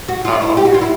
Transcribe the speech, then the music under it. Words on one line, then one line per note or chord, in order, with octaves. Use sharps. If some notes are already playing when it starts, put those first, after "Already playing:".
Oh, okay.
F#4
F4
E4
G4
F#4
F4
E4